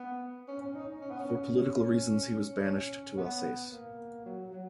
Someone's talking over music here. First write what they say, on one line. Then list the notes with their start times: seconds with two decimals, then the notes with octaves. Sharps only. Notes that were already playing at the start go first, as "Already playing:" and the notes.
For political reasons he was banished to Alsace.
Already playing: B3
0.48 C#4
0.62 C#4
0.75 D#4
1.02 C#4
1.11 B3
1.20 C#4
2.64 C#4
3.17 B3
3.72 A#3
4.25 F#3
4.52 F#3